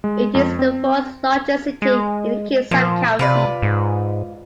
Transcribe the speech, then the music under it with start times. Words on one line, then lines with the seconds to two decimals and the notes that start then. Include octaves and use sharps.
It is the fourth largest city in Kitsap County.
0.04 G#3
0.35 F2
0.59 C4
1.33 G#6
1.82 G#3
2.71 A#2 F3
3.19 C3 F4 B4 D5
3.62 G#2